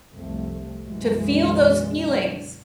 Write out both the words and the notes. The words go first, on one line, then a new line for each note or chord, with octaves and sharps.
to feel those feelings.
C2 F2 A3
B1 F#2 E3 F#3 G#3